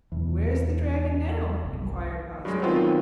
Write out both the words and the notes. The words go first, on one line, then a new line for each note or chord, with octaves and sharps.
"Where is the dragon now?" inquired Ozga.
E2 B2
G1 C2
G2 F#3 G#3
D#3 F#3 B3 C4 F4